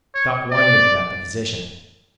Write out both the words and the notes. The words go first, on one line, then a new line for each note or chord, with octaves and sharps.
Doc wondered about the physician.
C#5
D5